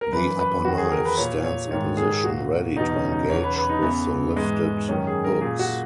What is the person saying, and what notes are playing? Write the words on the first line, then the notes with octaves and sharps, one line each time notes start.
The upper knife stands in position ready to engage with the lifted hooks.
A#4
F#2 E3 B4
B4
E2 D#3 F#4
G#4
A#4
B4
A#2 C#5
C#5
G#2 D#3 C#5
G#4
G#4
A#2 F#4
E2 B2 D#4
C#4
D#4
E2 C#3 E3 C#5
B4
B4
D#4
E2 C#3 E3 B3
G#2 E3 G#3
F#2 D#3 C#4
G#4
A#4
A#2 G#4
F#4